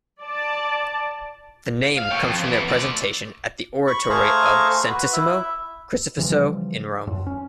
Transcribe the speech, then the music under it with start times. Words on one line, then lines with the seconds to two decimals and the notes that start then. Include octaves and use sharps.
The name comes from their presentation at the Oratory of Santissimo Crocifisso in Rome.
0.21 D5 A5
1.98 F5
2.12 C#5 G5
2.24 F2
2.44 E3 B3
2.69 A3 D5
3.87 B5 C#6
4.09 A3 G#4 C5 F5 A#5 C#6
4.88 F#4 B4
5.13 E4 E5
6.18 C#3 E3 F3 G3
7.07 F#2
7.27 C#4